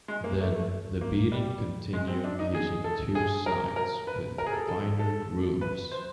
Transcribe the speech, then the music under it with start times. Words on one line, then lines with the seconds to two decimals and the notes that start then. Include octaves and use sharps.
Then, the beating continued using two sides with finer grooves.
0.08 G#3
0.24 A#3
0.40 A3
0.55 A3
1.01 A#3
1.32 G3
1.93 G#3
2.08 C4
2.24 D4
2.39 D#4
2.54 G#4
2.84 A4
3.15 G#4
3.46 A#4
3.76 A#4
4.07 B4
4.38 A#4
4.46 G#4
4.53 A4
4.68 A4
4.99 A4
5.61 B4
5.92 C5